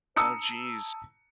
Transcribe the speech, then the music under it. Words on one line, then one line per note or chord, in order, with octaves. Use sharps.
Oh, jeez.
A5 A#5 D#6 E6 C#7